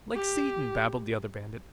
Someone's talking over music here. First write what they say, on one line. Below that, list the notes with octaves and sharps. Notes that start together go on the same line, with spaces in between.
"Like Satan!" babbled the other bandit.
G4